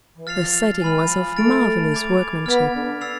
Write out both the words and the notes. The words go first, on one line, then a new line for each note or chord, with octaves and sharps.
The setting was of marvelous workmanship.
E3
F3 F6 A6 C7 F7
G#3 G#5 B5 F6
F3
F3
A3 F6 A6 D7 F7
D6 G#6 D7 F7
B3 F6 G#6 B6
D3
E6 A6 C7 F7